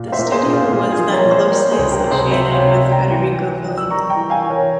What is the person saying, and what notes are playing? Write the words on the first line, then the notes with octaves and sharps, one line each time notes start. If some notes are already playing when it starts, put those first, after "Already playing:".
The studio was then closely associated with Federico Fellini.
Already playing: A#2
F5
C5 E5
A#2
A#4
G#4 C5
A#2
F4 G#4
A#2 F4 G#4
F4 G#4
F3
E5
A#4 C#5
A#2
C5 E5
G3 A#4 C#5
G#4 C5
C#2
G4 A#4
C3
G#4 C5
C3 C5 E5
C#5 F5
C3
E5 G5
G3
G5 A#5
E3
E3
G3
E6
G3 A#5 C#6
G5 A#5
E3
F5 G#5
E3
A#4 C#5